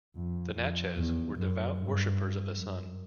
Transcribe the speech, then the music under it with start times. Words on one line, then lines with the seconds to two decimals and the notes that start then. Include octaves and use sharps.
The Natchez were devout worshippers of the sun.
0.15 F2
0.55 F2
0.96 E2
1.35 F#2
1.76 G2
2.56 F#2